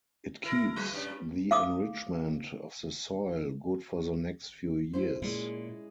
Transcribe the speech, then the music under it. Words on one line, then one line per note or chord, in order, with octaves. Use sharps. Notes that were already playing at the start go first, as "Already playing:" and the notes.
It keeps the enrichment of the soil good for the next few years.
E4 A#4
F#3
G2 G3 C#4
F5 D6 D#6
E4 C5
A#2 G#3 C#4 E4